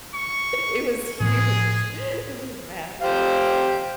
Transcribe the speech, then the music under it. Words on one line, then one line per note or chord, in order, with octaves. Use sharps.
It was huge. It was massive.
C#6
A2 F3 G#4
G4 C5 F5